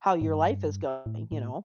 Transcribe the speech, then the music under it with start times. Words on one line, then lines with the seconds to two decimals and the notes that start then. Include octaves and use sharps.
how your life is going, you know?
0.21 A2
0.27 G2
1.06 A2
1.32 A2